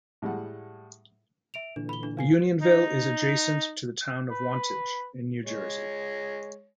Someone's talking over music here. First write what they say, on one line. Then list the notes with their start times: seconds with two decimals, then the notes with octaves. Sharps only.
Unionville is adjacent to the Town of Wantage in New Jersey.
0.22 A2 G3 G#3 F#5
1.54 E5 D7 F7
1.76 A#2 D3 E3 D4
1.89 B5 G7
2.03 D4
2.17 F5 G#5 C7
2.61 D#4
4.30 B4
5.45 G#3 C#5